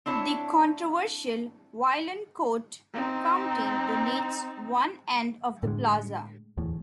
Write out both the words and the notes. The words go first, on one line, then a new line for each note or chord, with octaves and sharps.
The controversial Vaillancourt Fountain dominates one end of the plaza.
C4 D4 E4 C#5 A5
C4 D#4
A2 D3 G#3
D1 E2 A2